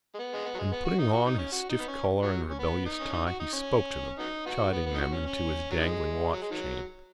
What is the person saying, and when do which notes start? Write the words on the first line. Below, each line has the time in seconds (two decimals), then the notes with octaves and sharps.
And putting on his stiff collar and rebellious tie he spoke to them, chiding them, and to his dangling watchchain.
0.14 G#3
0.18 B3
0.34 G#3
0.45 B3
0.54 F#3
0.59 G#3
0.72 B3
0.85 F#4
0.99 D#4
1.12 F#4
1.25 D#4
1.38 C#4
1.52 F#4
1.69 D#4
1.80 B3
1.88 C#4
2.23 F#3
2.50 C#4
2.59 B3
2.85 D#4
3.01 C#4
3.12 D#4
3.26 F#4
3.40 D#4
3.53 C#4
4.19 F#3 B3 D#4
4.46 B3 D#4 F#4
4.73 B3
4.86 B3
4.95 D#4
4.99 F#4
5.13 C#4
5.26 C#4
5.71 F#3
5.80 D#3 G#3
6.33 F#3
6.42 G#3
6.51 D#3 F#3